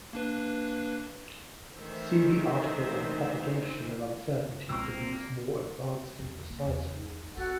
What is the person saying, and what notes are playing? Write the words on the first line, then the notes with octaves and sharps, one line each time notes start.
See the article on propagation of uncertainty for these more advanced and precise rules.
A#3 D4 B4
D#3 E3 A3 C5 E5
C#2 B2 A#3 C4 C#6 E6
E2
A#3
E2 D#3
C4 F#4 A4 F#5